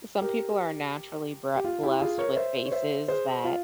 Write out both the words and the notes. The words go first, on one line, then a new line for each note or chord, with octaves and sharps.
some people are naturally bre blessed with faces that,
G4 A#4
G4
F4
E4 G4
F4 G#4
A#4 C#5
C5 E5
C#5
C5 E5
G#4 C5
F4